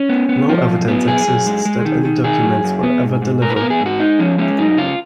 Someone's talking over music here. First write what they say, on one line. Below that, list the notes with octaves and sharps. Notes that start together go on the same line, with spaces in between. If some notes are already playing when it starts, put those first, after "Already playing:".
No evidence exists that any documents were ever delivered.
Already playing: C#4
B3
B3
F3 F4
F#2
B3
F#2 G#4
F#2
G#3
G#3
D#3
D#3
D#3 G#4
F#2
F#2
B3
G#2
G#2
G#2 A#4
B4
B3 A#4
G#4
G#2
F#4
G#3 D#4
F3 C#4
G#3 C#4
F#2 D#4
C#3 F4